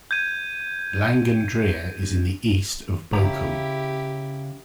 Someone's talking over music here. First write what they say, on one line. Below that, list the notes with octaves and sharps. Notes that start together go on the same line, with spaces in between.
Langendreer is in the East of Bochum.
G6 G#6 D#7
C#3 E4 G4 A#5